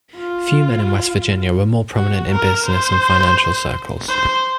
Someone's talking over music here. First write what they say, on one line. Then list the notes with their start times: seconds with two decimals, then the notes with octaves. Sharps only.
Few men in West Virginia were more prominent in business and financial circles.
0.17 F4
1.95 F#4
2.31 A#4
2.66 C5
4.08 C5